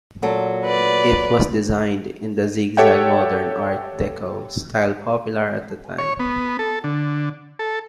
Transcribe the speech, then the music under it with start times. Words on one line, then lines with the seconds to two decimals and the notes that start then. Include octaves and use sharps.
It was designed in the Zigzag Moderne Art Deco style popular at the time.
0.22 A#2 F#3 A4
0.65 B4 D5
2.77 G4 A4 C#5 E5 F#5 G5
5.98 C#5
6.19 B3
6.59 A4
6.84 D3
7.59 A4